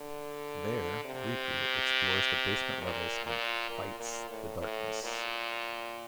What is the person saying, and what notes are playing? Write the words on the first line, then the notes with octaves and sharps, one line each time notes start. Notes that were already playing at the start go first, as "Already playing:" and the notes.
There, Riku, explores the basement levels and fights the darkness.
Already playing: D3
C3
A#2
A#2
A#2
A#2
A2
A2
A#2